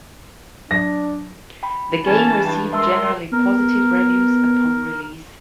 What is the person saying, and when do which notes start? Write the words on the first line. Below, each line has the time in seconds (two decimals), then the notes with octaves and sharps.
The game received generally positive reviews upon release.
0.71 F#3 D4 A#6
1.63 G5 B5
2.06 E3 C#4 A5
2.45 G2
2.73 G#3 A#4 E5 A5 C6 E6
3.32 B3 A#4